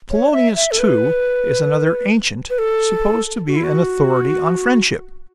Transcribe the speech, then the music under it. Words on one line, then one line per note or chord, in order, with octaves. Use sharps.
Polonius, too, is another ancient supposed to be an authority on friendship.
C#5
E5
E5
A4
B4
B4
A4
F#4
E4
F#4